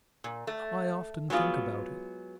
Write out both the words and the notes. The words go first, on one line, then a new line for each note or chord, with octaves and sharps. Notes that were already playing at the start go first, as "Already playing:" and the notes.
I often think about it.
A#2
A3
F#3 G#3 B3 F4